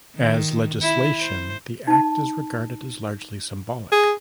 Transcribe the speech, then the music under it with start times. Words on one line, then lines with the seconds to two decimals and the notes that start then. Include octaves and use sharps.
As legislation, the Act is regarded as largely symbolic.
0.16 D#3
0.82 E4
1.20 C5
1.87 D#4 A5
3.92 G#4